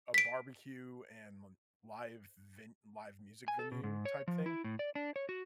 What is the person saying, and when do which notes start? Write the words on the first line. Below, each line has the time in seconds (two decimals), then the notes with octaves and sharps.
a barbecue and live ven live music venue type thing.
0.14 B6 D7
3.48 G#5
3.59 A4
3.72 B2
3.83 G#2
4.05 C#5
4.28 F3
4.46 E4
4.64 A2
4.79 D5
4.95 D4
5.16 C#5
5.29 F#4